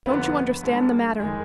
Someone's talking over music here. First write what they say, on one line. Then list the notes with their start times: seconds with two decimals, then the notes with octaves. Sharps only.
Don't you understand the matter?
0.06 G1 F2 D3 G3 B3 B4
0.63 G1 G2 D3 G#3
1.19 F1 D#3 G#3 G#4